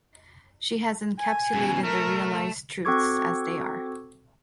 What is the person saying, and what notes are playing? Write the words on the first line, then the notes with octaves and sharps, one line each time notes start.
She has encapsulated the realized truths as they are.
G#5
F#2 B2
A3 A#4
C4 F#4 A4 C#6 D6 G#6